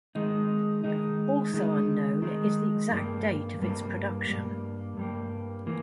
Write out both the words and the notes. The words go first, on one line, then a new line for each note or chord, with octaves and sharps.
Also unknown is the exact date of its production.
D#3 G#3 D#4
D#3 G#3 D#4
D#3 G#3 D#4
D#3 G#3 D#4
G2 G3 A#3
G2 G3 A#3
G2 G3 A#3
G2 G3 A#3
E3 A#3